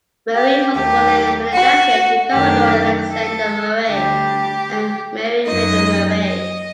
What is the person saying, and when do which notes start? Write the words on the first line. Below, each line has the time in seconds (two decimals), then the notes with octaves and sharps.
Murray was born in Philadelphia, to Commodore Alexander Murray and Mary Miller Murray.
0.35 G4
0.74 D#2 D#3 F#3 A3 G4
1.53 F#4
2.31 F#2 D#3 A3 D4 G4
3.10 A4
3.88 D2 D3 G3 D4 G4
5.45 F#2 F#3 A#3 D#4 D#5
6.24 D#5